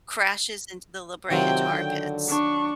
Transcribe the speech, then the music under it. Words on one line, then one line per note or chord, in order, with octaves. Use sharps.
crashes into the La Brea Tar Pits.
C3 D#3 F#3 F4 G5
D3
D4 C#6